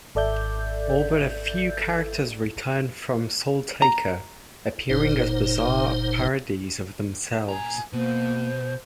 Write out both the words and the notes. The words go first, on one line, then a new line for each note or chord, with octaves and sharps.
All but a few characters return from SoulTaker, appearing as bizarre parodies of themselves.
G#1 A4 D5 E5 G6
A#5
F#1 A#2 D#4 C5
A#2 G#5 A#5
B2 A#3 C5